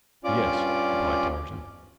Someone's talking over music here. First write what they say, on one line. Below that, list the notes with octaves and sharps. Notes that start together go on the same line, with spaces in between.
"Yes," replied Tarzan.
G2 C#4 F4 D5 D6